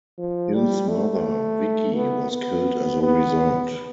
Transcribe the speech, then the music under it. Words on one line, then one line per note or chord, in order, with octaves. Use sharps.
Hill's mother, Vicki, was killed as a result.
F3
G3
A3
B3
B3
B3